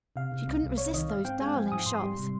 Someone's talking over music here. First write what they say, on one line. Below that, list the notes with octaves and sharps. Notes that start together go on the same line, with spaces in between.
She couldn't resist those darling shops.
C3 F5
C3
C2
C2
C3 C#5
D#3 D#5
G#2 F5
C4 G5
G#3 G#5
F3
G#2 D#6
G#2 C6
G3
C3